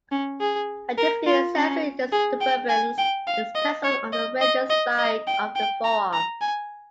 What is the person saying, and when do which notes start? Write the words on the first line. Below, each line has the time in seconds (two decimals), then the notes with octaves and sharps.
A discrete sensory disturbance is present on the radial side of the forearm.
0.12 C#4
0.40 G#4
0.98 A#4
1.26 F4
1.56 C#4
2.12 G#4
2.41 G5
2.69 G#5
2.98 G5
3.27 F5
3.55 D#5
3.84 C#5
4.13 D#5
4.41 D#5
4.70 D#5
4.98 D#5
5.27 G5
5.56 G5
5.84 A#5
6.13 A#5
6.41 G#5